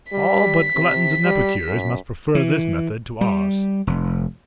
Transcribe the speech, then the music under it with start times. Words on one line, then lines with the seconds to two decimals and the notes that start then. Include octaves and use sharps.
All but gluttons and epicures must prefer this method to ours.
0.12 G3 B6
0.75 C3
1.24 G3
1.68 F#2
2.35 E3
3.21 G3
3.87 F1